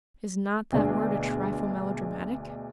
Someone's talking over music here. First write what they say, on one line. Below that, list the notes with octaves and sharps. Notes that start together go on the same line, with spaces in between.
"Is not that word a trifle melodramatic?"
D2 B2 G#3 D4